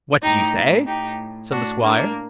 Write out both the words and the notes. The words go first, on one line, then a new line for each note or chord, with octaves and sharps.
'What do you say?' said the Squire.
A2 D#4 G4
A2 D#4 G4
A2 D4 F#4
A#3 D4